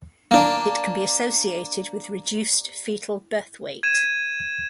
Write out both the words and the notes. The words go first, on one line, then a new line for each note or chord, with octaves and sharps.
It can be associated with reduced fetal birth weight.
A#3 D4
G#6 D#7 E7